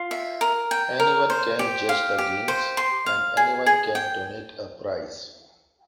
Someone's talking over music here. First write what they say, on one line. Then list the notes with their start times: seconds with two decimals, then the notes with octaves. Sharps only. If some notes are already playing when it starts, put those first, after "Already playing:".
Anyone can judge the games, and anyone can donate a prize.
Already playing: F4
0.11 E5
0.41 A#4
0.71 G5
1.00 A#4
1.30 C5
1.59 G4
1.89 F5
2.18 G4
2.48 C5
2.77 C6
3.06 F5
3.37 G#4
3.66 G#4
3.95 G5